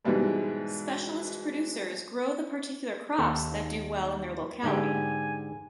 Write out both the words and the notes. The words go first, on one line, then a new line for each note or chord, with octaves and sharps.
Specialist producers grow the particular crops that do well in their locality.
G#2 B2 E3 G3 G#3
D#2 A4
G#2 D3 G4 G#5